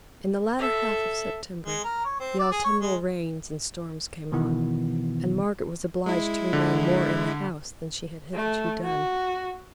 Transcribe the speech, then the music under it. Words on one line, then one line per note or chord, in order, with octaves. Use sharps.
In the latter half of September, the autumnal rains and storms came on, and Margaret was obliged to remain more in the house than she had hitherto done.
A4 E5
G#3
A#4
C#5
C4
D5
G#4
C#5
G#3
B2 D#3 E3 B3 E4
G#3 E4
D3
A3
F#4